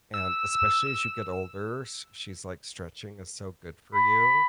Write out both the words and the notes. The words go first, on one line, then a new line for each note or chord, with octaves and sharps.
And, especially as you get older, she's like, "Stretching is so good for you
E6
B5